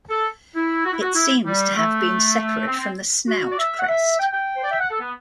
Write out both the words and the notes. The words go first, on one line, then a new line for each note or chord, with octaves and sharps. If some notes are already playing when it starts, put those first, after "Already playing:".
It seems to have been separate from the snout crest.
A4
E4
F#4
E4
F#4
E4
G3
A3
C4
C4
F#4
D5
E5
F#5
E5
G5
G5
C5
D5
E5
F#5
A4
B3